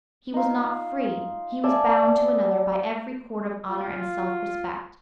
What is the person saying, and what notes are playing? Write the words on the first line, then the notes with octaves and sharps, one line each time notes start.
He was not free--he was bound to another by every cord of honour and self-respect.
D#4 F4
D5 E5 G#5 A5
F4